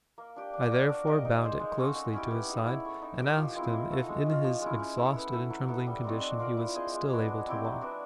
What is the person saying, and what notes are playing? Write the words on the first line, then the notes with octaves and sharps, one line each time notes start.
I therefore bound it closely to his side, and asked him if in his exhausted and trembling condition he was still able to walk.
A#3
D4 G4
D4
F#4 A#4
D4
G4 A#4 D#5
D#4
G#4 C5
G#3
C#4 F#4 A4
G#3
C#4 E4 G4
B3
D#4 G#4
E4
A4 C#5
D#4
G4 A#4
F3
G#3 C4 E4
A#3
D#4 F#4 A4
G#3
C#4 F4
F3
G#3 C#4 E4
C#4
E4 A4
B3
E4 A4
F#3
B3 E4 A4
G3
C4 D#4 F#4
D4
F4 A#4 D5
E4
G#4 C5 D#5
G#3
B3 D4 F#4
G#3
C4 E4 G4
F#3
B3 D4 F#4